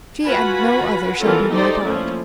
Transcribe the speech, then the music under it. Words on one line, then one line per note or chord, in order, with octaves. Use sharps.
She, and no other, shall be my bride.'
F4 F#4 B4 F#5 G#5 B5
E3 B3 C#4 F4 A4 A#4
D#4 G4 A4 C5 D5
F3 A3 A#3 C#4 E4